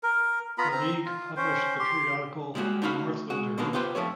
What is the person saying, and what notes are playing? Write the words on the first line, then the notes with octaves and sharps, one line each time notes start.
The League published the periodical "The Northlander".
A#4
B3 F4 A#5 B5
C4 A#5
F4
C#4 C5 G5
G4 C6
G3 G#3 A#3 D4 F#4
A3 D#4 E4 F#4 F5 B5
G#3 F#4
B2 D3 D#3 F#3 A#3 B3
B3 F4 G4 B4 C5
F2 F3 A3 C#5